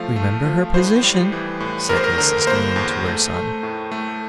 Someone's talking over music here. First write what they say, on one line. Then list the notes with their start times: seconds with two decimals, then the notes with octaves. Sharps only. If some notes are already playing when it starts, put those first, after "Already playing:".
"Remember her position," said Mrs. Dean to her son.
Already playing: F3 A3 F5
0.16 A3
0.45 F3
0.74 A2 C5
1.03 G3
1.32 E3
1.60 A2
1.89 E2 A#4
1.96 C5
2.04 A#4
2.18 D3 A#4
2.42 A#4
2.47 A#3 C5
2.76 E2
3.05 A3
3.34 A3
3.63 A2
3.92 A3